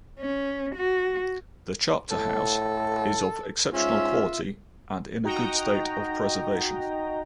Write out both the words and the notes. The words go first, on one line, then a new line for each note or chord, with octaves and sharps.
The chapter house is of exceptional quality and in a good state of preservation.
C#4
F#4
A2 A4
G#2 C#4 F4 E5
D#4 F#4 D#5 G5 A#5